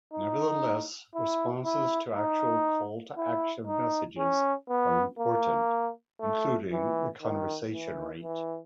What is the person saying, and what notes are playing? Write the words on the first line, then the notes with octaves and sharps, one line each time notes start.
Nevertheless, responses to actual call-to-action messages are important, including the conversion rate.
D#4
E4
E4
D#4
E4
D#4
C#4
B3
A#3
A3
E3
D#3
E3
E3